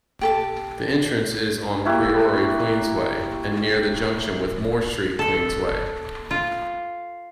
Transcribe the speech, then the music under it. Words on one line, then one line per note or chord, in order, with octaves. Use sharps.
The entrance is on Priory Queensway, and near the junction with Moor Street Queensway.
G4 A4 A5
A#3 E4 F#4 G4
A4
F4